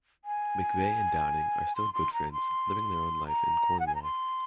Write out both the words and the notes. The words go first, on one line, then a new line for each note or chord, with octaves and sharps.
McVay and Downing are still good friends living their own life in Cornwall.
G#5
C6
C6
A#5
C6
A#5
F#5
G#5
A#5
C6